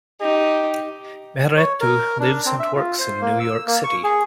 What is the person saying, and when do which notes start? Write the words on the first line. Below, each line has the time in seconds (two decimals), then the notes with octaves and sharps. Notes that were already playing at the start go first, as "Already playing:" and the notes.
Mehretu lives and works in New York City.
0.21 D#4 G4
1.57 C#5
1.81 A#4
2.20 D4
2.46 C4
2.60 E5
2.75 F4
2.99 C5
3.21 A#3
3.40 E6
3.67 A#3
3.84 C#6
4.04 G#4